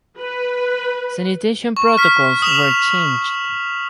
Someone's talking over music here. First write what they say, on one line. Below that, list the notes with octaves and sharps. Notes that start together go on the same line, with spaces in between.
Sanitation protocols were changed.
B4
C#6
F6 B6
D#6 E7 F7